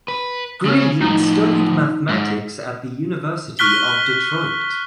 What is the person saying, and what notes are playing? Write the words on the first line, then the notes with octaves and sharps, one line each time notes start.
Green studied mathematics at the University of Detroit.
B4
C#3 C#4
A2 F3 D#4
G#2
C#6 F6 F#6 B6 G7